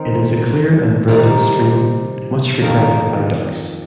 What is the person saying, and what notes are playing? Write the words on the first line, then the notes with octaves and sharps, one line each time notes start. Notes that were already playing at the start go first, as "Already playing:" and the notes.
It is a clear and verdant stream, much frequented by ducks.
Already playing: D#3 C4 D#4
C3 D#3 G3 D#4
F2 D#3 A#3